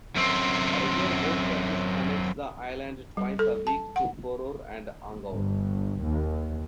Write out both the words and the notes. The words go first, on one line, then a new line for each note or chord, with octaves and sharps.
A regular boat service connects the island twice a week to Koror and Angaur.
F#2 C4
G3
A4
A5
F#5
G1
D#2